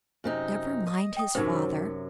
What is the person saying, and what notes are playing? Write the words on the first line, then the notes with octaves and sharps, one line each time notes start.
"Never mind his father."
F#2 C3 D#4
D#5
G5 D#6
F#2 C3 F#3 D#4 A#4 C5